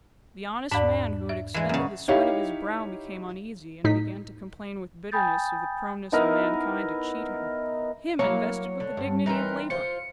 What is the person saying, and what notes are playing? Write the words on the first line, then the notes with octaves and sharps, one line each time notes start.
The honest man who had expended the sweat of his brow became uneasy, and began to complain with bitterness of the proneness of mankind to cheat him--him invested with the dignity of Labour!
E2 G#2 D4 B5
E5
E3 G#3
F#2 C#3
D#4 E4 G4 C#5 E5 F5
A2 D#4 B6
G5 G#5 B5 D#6 G6 A6
B3 D#4 E4 A#4
F#3 A#3 E4 C#5 F5
D3
G2
E3 C4 D#4 A#4 B4
F4 C5 C#7